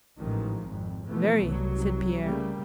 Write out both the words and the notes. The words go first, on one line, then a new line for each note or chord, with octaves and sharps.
"Very," said Pierre.
A1 G#2 D#3 F3
G#1 F2
B2 E3 F3 A3 B3
C2 F#3
C#3 G3 A3 A#3